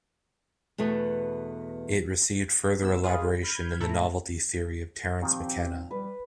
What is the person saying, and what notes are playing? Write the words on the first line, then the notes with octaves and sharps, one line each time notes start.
It received further elaboration in the Novelty theory of Terence McKenna.
E2 B2 A3 B3
B3 E6
F4 G#4 B4
B5 F6 G6 G#6
C#2 A2 E4 A4 A#5
A#2 D#3 F3 C4 G4
G3 B4